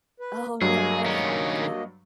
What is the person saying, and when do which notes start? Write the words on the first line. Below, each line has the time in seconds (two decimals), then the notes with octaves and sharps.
Oh, no way, how cute.
0.20 B4
0.61 G2 F#3 A#3 G#4 D#5
1.05 D#3 C#4